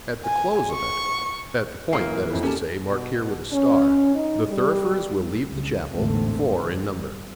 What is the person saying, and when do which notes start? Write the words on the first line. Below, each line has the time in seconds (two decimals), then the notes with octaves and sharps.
At the close of it--at the point, that is to say, marked here with a star, the thurifers will leave the chapel, four in number.
0.25 G#5
0.72 C#6
1.93 F#2 A#2 E3 A#3 C7
2.30 F2 E4
2.43 E2 B2 A#3 C#4 G4 A4 A5
2.88 B2
3.52 C#4
4.15 D#4
4.48 G3
5.47 C#2 C#3
5.92 A1 E2 G#2 D3 A3 C4
6.68 G3